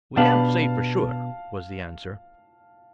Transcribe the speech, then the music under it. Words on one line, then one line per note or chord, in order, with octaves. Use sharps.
"We can't say for sure," was the answer.
B2 B3 D4 G4 B4 F5 A5